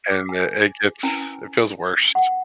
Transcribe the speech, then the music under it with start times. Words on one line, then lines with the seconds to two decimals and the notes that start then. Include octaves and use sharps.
and it it it's it feels worst.
0.10 D6
0.29 G#5
1.03 C#4 E4 B4 G#5
2.15 F#5